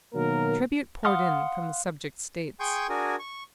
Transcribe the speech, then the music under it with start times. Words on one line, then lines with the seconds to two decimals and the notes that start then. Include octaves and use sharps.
Tribute poured in from the subject States.
0.14 B2 D#3 F#3 A#3 A#4
1.05 F5 F#5 C6 D#6 F6
2.60 G#4 G5 G#5 C6 C#6 G6
2.89 D4 F#4 G#4 A#4 G#5
3.19 C#6